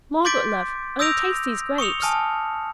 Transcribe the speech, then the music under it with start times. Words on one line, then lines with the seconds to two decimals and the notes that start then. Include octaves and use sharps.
Margaret love, only taste these grapes!
0.25 C6 D6 G6 A6 B6 D7
0.99 D#6 E6 G6 A#6 D7 F7
1.78 C#6 D#6 C#7 F7
2.02 G#5 A5 D#6 F6